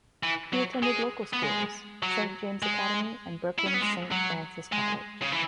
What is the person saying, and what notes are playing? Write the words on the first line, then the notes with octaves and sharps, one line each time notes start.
He attended local schools, Saint James Academy, and Brooklyn's Saint Francis College.
E3
F#3
G#3
B3
G#3
F#3
G#3
E4
C#4
B3
G#3
F#3
G#3
C#3
E3